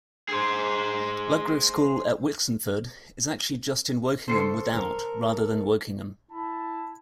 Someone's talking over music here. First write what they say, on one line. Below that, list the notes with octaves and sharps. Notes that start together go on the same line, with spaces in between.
Ludgrove School at Wixenford is actually just in Wokingham Without, rather than Wokingham.
G#4 C5
C#3 A4 C5 C7 C#7
A#4
E4 A5